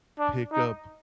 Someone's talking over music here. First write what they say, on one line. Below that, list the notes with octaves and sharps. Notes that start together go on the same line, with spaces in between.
pick up
D4
D#4